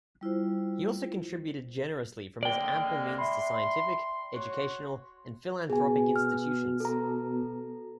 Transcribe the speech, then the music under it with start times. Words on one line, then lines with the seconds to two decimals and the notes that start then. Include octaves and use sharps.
He also contributed generously from his ample means to scientific, educational, and philanthropic institutions.
0.21 G3 E4 F4 C5
2.43 D3 G#3 A#3 D5 G5
3.18 E5 B5 C6
4.34 F#4 C#5 C6
5.70 B2 G#4 G#5
6.16 F6
6.80 A4 A#5